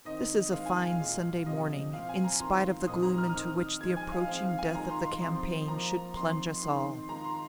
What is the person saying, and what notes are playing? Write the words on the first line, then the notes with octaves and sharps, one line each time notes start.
"This is a fine Sunday morning in spite of the gloom into which the approaching death of the campaign should plunge us all."
D#3 C4 D#4 D#5
D#3 G#3 C4 D#4 F5
G#5
F5
A#2 G#3 F4
C3 F3 C4 D#5
A#2 F3 C4 F5
G#5
A#5
D#3 C4 F4 C6
A#2 F3 C4 D#4 D#6
A#5
F6
D#6
D#3 C4 D#4 F6
F3 G#3 D#4 G#6
G#5
F5
F3 C4 D#4 F5
F5
G#5
D#3 G#3 F4 A#5
C6
C6
F3 C4 D#4 C6
F3 A#3 F4 A#5
F3 C4 D#4 C6
D#3 C4 D#4 C6
D#3 G#3 F4 A#5
C6